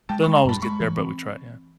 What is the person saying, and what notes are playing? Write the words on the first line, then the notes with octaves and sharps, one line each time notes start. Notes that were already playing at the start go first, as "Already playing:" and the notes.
Doesn't always get there, but we try, yeah.
G#3 G5 A5
B5 C#6
G#3
A#5 C6
G2 A5 B5
G#3 B5 C#6
E3
C4